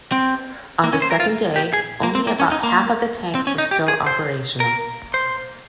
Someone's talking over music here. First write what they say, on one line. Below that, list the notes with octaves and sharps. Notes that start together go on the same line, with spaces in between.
On the second day, only about half of the tanks were still operational.
C4
A#3
C#4
C5
A#4
F4
G4
G#4
A#3
C4
A#3
C#4
D#4
A#3
C4
C#4
D#4
G4
G#4
C5
A#4
C5